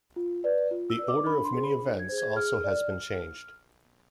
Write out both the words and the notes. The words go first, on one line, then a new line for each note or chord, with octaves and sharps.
The order of many events also has been changed.
F4
B4 D5
F4
E6
B4 D5
D6
D4 B5
C6
G#4 C5
B5
D4
G#6
G#4 C5
G#6
G#4 F6
D5